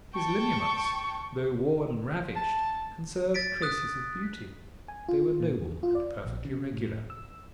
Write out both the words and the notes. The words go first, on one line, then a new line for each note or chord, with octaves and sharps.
His lineaments, though worn and ravaged, conserved traces of beauty; they were noble and perfectly regular.
G5 A5 C#6
A5
A6 B6 D7
D#6 F#6
G#5
F4
A#2
E2
F4
D5
A#1
C#3
A2
E6